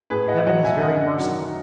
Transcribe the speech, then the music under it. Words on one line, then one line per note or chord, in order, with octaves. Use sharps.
Heaven is very merciful.
A2 G#4 B4
D#5 F#5
F#3 D#5 F#5
E5 G#5
F#2 D#5 F#5
D#3 F#3